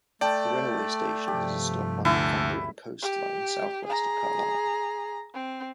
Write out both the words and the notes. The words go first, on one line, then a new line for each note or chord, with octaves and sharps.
The railway station is a stop on the Cumbrian Coast Line south-west of Carlisle.
A3 D5 G5 A5
G2 C3 F3 G4
D2 E4 A5
G4
G#4 A#5
C4